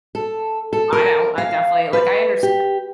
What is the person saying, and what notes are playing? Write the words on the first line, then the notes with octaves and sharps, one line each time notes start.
I don't, I definitely, like, I understa
A4
A4
A#4
F5
B4
G4